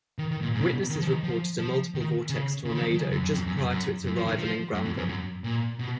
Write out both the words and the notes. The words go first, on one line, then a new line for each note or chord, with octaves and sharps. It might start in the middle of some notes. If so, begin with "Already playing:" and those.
Witnesses reported a multiple vortex tornado just prior to its arrival in Granville.
D#3
D#3
A#2
G#2
C#3
B2
D#3
F3
D#3
F3
F3
D#3
C#3
C#3
D#3
F3
D#3
C#3
F#2
F#2
F2
F#2
F#2
F#2
F#2
F3
D#3
F3
F#2
F2
F#2
F#2
A#2
B2